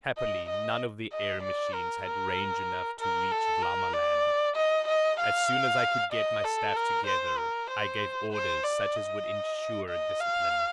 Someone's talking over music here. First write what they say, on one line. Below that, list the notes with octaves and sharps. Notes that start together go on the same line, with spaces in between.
Happily, none of the air-machines had range enough to reach Vlamaland. As soon as I could get my staff together, I gave orders such as would insure discipline.
D#5
D#5
D#5
D5
A#4
A#4
A#4
A4
A#4
D5
D#5
D#5
F5
D#5
A4
A#4
C5
A#4
C5
C5
D5
D#5
D#5
F5